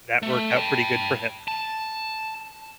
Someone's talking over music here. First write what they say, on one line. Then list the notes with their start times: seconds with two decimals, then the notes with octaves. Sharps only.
that worked out pretty good for him.
0.23 A3
0.52 G5 A5
1.48 A5